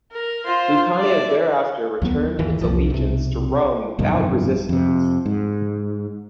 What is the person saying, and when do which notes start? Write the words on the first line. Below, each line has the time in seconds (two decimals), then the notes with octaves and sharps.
Lucania thereafter returned its allegiance to Rome without resistance.
0.12 A#4
0.46 F4 C5
0.99 D5 E5
2.02 D#2 D#3 F#3 B3
2.39 G1 D#2 E3
2.61 C2 F2 F3
2.90 B1 C3
3.99 F1 B1 G2 D#3
4.69 F2 C3
5.26 G#2